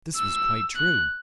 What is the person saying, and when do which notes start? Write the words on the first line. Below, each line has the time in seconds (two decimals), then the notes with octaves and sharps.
This was quite true.
0.16 E6
0.76 F#6